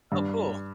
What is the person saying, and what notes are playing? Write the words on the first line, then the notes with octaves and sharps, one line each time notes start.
Oh, cool.
G2